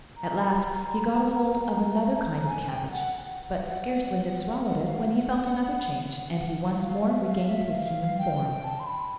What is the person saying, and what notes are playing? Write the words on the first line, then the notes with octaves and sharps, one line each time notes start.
At last he got hold of another kind of cabbage, but scarcely had swallowed it when he felt another change, and he once more regained his human form.
A#5
A5
A#5
G#5
G5
G5
F#5
F#5
F5
F#5
F5
E5
F5
E5
F5
G5
A5
C6
B5